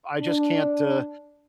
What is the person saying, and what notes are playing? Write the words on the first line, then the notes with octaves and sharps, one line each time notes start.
I just can't, uh,
D4